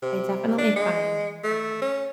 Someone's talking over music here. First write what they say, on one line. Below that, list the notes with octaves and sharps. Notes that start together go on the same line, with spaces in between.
I definitely find, um
C3
D4
G#3
A3
C#4